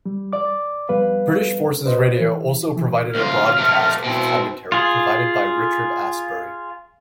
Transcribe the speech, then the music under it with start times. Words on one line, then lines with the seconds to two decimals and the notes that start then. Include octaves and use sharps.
British Forces Radio also provided a broadcast with commentary provided by Richard Astbury.
0.06 G3
0.33 D5 D6
0.89 F2 G3 B3 B4 F5
1.86 B4 C5 D#5
2.20 E3
2.77 E3
3.15 D2 F4 F6
3.58 C3 A3
4.04 B2 C4 E4
4.72 F4 G#4